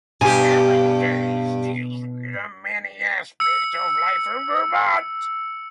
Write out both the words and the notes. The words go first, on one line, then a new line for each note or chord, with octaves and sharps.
"Seven Days" deals with many aspects of life in Vermont.
G2 B2 G4 G#5
E6 C#7